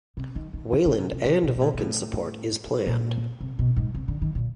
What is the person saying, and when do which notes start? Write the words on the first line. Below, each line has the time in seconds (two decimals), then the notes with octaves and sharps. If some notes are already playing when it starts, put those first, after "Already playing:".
Wayland and Vulkan support is planned.
0.17 C3
0.35 D#3
0.53 D#3
0.85 C#3
0.98 C3
1.12 C3
1.25 C3
1.43 B2
1.55 B2
1.61 A#2
1.74 A#2
1.79 A2
2.87 A#2
3.41 C3
3.59 B2
3.76 G#2
3.95 C3
4.08 D3
4.22 D#3
4.35 A#2